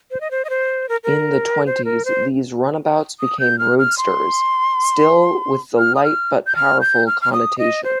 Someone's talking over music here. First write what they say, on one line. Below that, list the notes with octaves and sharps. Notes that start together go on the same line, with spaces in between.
In the Twenties, these runabouts became roadsters, still with the light-but-powerful connotation.
C5
D#5
C5
D#5
C5
A#4
A#4
C5
A#4
C5
D#6
G6
F6
F6
C6
F6
D#6
F6
G6
F6
G6
F6
F6
D#6
D#5
C5